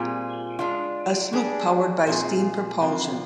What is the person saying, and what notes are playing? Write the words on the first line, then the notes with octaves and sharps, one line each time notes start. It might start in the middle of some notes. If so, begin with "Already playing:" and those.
A sloop powered by steam propulsion.
Already playing: A#2 G3 C4 F4 G#4
G#3 D4 F4
G3 D4 G#4
A#2 F3 C4 F4 G#4
D3 F3 C4 F4